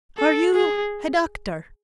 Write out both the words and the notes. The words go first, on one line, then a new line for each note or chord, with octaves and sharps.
"Are you a doctor?"
A4
G#4